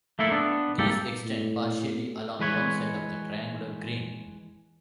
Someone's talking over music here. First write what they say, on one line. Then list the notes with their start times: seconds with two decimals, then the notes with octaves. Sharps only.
These extend partially along one side of the triangular Green.
0.19 A3 A#3 E4 A4
0.31 B3 D4
0.79 C2 G#2 A#3 G4 A4
1.23 A2
2.39 E3 G#3 B4 C#5